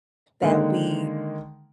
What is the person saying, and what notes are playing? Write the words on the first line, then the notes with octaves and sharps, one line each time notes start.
that we
D3 D#3 G#3 A#3